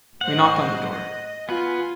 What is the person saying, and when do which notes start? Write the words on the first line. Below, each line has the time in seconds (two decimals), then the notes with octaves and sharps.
We knocked on the door.
0.21 A2 C5 D#5 F#5
0.93 D#5
1.49 B3 F4 B4 G#5